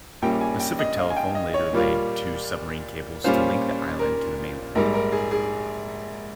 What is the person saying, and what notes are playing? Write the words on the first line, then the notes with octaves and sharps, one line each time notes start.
Pacific Telephone later laid two submarine cables to link the island to the mainland.
A#1 A#2 G3 A#3 C#4 G5
G#5
G5
D#5
F5
G#5
G5
D#5
C#5
A#2 G3 A#3 F4
A#2 G3 C#4 F4 C5
A#4
A#1 G#2 G3 A#4
A#4
G#4
G#4